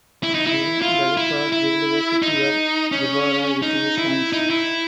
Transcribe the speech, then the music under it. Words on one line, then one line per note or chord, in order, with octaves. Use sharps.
Bin Khalifa built the city of Zubarah with his sons.
E4
D#4
E4
F4
E4
E4
D#4
C#4
D#4
E4
D#4
E4